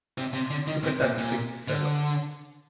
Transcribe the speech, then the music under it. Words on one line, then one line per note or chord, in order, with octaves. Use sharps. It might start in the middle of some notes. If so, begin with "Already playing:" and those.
Look at that big fellow.
C3
C3
D3
D#3
C3
A#2
A#2
D3